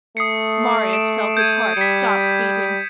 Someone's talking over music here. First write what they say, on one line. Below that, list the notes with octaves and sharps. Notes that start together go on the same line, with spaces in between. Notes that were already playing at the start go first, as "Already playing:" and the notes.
Marius felt his heart stop beating.
A3 D#6 C7 C#7
D7 E7
G6 G#6 D#7
G3 B6 C#7